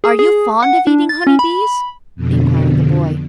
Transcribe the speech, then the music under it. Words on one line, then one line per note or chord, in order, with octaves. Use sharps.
"Are you fond of eating honey-bees?" inquired the boy.
G#4
G#4
F#5
D4
A6
C#4
B5
F2 B2 D3